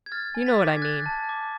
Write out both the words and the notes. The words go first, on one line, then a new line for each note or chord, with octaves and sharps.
"You know what I mean."
G#6
F6 A6
G#5
A6
B6
D6
G#6
F#6 A6
A5
D6